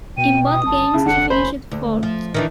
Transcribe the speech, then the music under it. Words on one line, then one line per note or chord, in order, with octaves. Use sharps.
In both Games she finished fourth.
B2 G5 D#7
D#6
G1 A5
C#3 E4
F1 D3 F#5
C#4 C5 B5
D2
F3
D#3 E3 D4